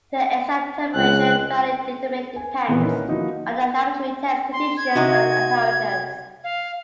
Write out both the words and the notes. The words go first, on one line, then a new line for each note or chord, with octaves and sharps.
The exact temperature value determined depends on the laboratory test conditions and apparatus.
C#2 F#6
G#5
A#2 E3 B3 C4
A#3 C#4 D#4 E4 A#4 B4
F3 A#3 D#4 E4 F#4
C6
G#6
C3 D#4 F#4
F5